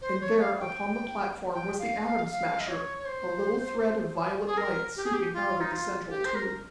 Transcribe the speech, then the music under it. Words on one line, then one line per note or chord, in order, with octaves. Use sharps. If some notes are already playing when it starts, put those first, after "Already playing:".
And there upon the platform was the Atom Smasher, a little thread of violet light seeping out of the central tube.
C5
C#5
F5
G5
G5
F5
F5
F5
D#5
C#5
C#5
C5
G#4
A#4
G4
G#4
G4
F4
D#4
F4
G4
C5
A#4